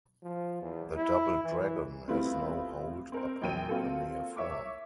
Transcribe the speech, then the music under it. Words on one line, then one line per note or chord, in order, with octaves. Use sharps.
The Double Dragon has no hold upon the mere form.
F3
E2
E4
E3
G3 A3 B3 C4 E4 F4
C4 A#4 C5
A#1 F#3 G5 D#7
A#3 C4 F4 F#4 A4
C#5 E5 C#6 D6